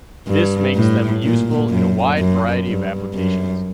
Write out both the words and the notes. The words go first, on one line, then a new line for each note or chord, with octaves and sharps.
This makes them useful in a wide variety of applications.
G2
A2
A#2
F#2
F#2
G2
F#2